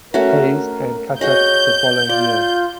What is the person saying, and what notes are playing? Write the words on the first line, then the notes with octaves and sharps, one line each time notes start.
Hayes, and cut up the following year.
A3 C#4 F#4 A#4
F#4 G#4 C#5 D#5 G6
F4 D5